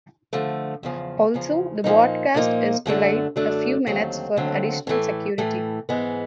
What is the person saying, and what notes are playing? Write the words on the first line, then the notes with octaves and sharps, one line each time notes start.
Also, the broadcast is delayed a few minutes for additional security.
D3 F3 A3
E2 C#3 F3
E2 C#3 F3
A#2 F3 A#3 D#4
A#2 F3 A#3 D#4
F#2 D3 F#3 A3 D4
F#2 D3 F#3 A3 D4
D#2 D3 F#3 A3 C4
D#2 D3 F#3 A3 C4
A2 E3 A3
A2 E3 A3
G#2 E3 G#3 B3